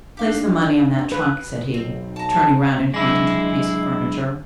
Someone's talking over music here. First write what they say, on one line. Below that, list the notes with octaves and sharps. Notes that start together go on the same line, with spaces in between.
"Place the money on that trunk," said he, turning round and pointing to the piece of furniture.
D4 D#4 G4 F5 F#6
B4
B1 C4
A5 A#5
F#3 G#3 D4 E4 D#5